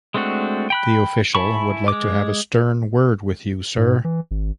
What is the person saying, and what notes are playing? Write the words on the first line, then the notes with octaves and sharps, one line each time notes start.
The official would like to have a stern word with you, sir.
G#3 A3 C4 D4 F#4
G5 B5 F#6
E4 G#5 A5 B5 C#6
G#3 D6
G#2
E3
G#1